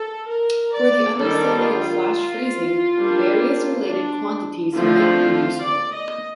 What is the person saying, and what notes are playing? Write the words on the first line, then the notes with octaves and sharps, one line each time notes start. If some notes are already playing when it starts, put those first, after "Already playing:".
For the understanding of Flash freezing, various related quantities might be useful.
Already playing: A4
A#4
D5
D#3 G3 D4 A4
F4
G3 A#3 D4
D4
D3 F3 A3 C4 F4
D5
D#5